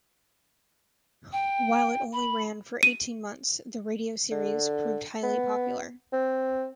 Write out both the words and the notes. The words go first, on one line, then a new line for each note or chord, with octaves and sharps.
While it only ran for eighteen months, the radio series proved highly popular.
G5
B5
D#7
D3
B3
C4